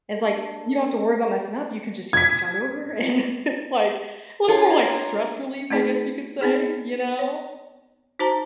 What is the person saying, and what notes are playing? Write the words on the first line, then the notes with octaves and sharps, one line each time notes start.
and it's like, you don't have to worry about messing up; you can just, you know, start over, and it's like little more like stress relief, I guess, you could say, you know?
A#3 D4 A4
G#6 B6
D4 F4 C#5 A#5
A3 C4 D#4 G#4
B3 C4 D#4 G#4
C#5
D#4 F#4 C5 A5 A#5